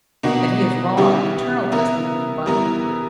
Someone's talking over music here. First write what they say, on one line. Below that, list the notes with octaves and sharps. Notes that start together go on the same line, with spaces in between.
That he is wrong internal testimony abundantly proves.
B2 A#3 D4 F#4
C#3 G3 B3 E4 G4
E3 B3 E4 A#4
E3 G3 B3 E4 A#4